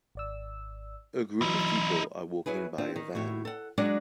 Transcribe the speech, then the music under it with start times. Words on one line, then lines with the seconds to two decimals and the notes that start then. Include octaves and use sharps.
A group of people are walking by a van.
0.15 G#1 D5 E6
1.42 E3 F#3 D#4 E4
2.46 F#3 E4 G#4 B4
2.78 C4 D4 F4
2.96 D#3
3.15 A2 E4 F#4
3.45 A4 F#5
3.78 F#3 G#3 D4 D5 F#5